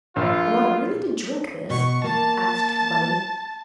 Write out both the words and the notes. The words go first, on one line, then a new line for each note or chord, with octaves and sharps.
"Am I really to drink this?" asked the bunny.
A#1 F4
B2 C#6
A#3 A5